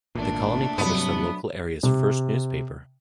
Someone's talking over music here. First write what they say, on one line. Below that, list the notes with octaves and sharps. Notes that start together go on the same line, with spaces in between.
The colony published the local area's first newspaper.
G#1 A#2 A3 D4
G2 C3 F#3 B3
C3